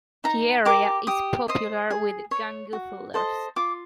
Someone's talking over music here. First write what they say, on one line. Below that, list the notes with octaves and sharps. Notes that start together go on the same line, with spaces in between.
The area is popular with gongoozlers.
D#4 A#5
G4 A#4 D6
G4 D#6
C5 D#5 D#6
G#4
C#5
F#4
A4 C5 D#5
F4 D6